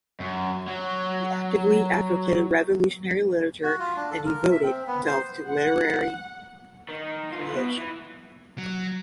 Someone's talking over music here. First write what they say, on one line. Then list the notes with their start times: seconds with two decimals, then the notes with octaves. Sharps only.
He actively advocated revolutionary literature and devoted himself to literary creation.
0.20 F#2
0.68 F#3
3.63 F#4
3.79 F4
3.96 D4
4.11 A4
4.26 A#4
4.51 E5
4.63 C4
4.87 B3
5.06 C5
5.48 F#5
6.89 D#3
7.32 E3 F4
7.55 B2
7.78 E3
8.58 F#3